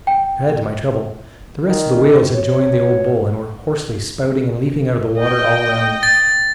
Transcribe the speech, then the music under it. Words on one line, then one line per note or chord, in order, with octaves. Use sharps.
To add to my trouble, the rest of the whales had joined the old bull, and were hoarsely spouting and leaping out of the water all around me.
G5
D#3
C#5
D#5 G5
A6